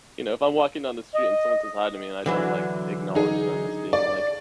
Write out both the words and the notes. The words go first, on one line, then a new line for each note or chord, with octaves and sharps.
you know, if I'm walking down the street and someone says "Hi" to me and I don't, like, acknowledge them as being, like,
D#5
D3 E3 F#3
D#4 G#4
D5